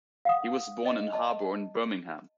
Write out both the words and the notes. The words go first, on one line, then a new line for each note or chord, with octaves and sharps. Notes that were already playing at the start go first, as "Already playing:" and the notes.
He was born in Harborne, Birmingham.
F5 F#5 D#6
D#5
D#5 A5